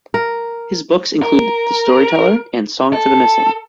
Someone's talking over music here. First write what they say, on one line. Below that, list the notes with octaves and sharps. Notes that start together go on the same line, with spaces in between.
His books include "The Storyteller" and "Song for the Missing".
A#4
A#4
A4